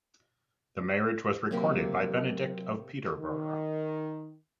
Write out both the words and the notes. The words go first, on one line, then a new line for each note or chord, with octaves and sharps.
The marriage was recorded by Benedict of Peterborough.
C3 F#3 A#3 G4
D#3